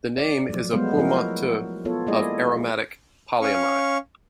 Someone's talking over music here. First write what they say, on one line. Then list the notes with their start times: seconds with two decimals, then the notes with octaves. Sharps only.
The name is a portmanteau of "aromatic polyamide".
0.17 D5
0.49 F3 F#3 A3
0.72 F#3 G#3 A3 B3 C5 F5
0.97 F3 E4 F#4 A#4
1.85 B3 F4 A4 C#5
2.07 G#3 A#3 E4 G#4 D5 D#5
3.42 C#4 F5 C#6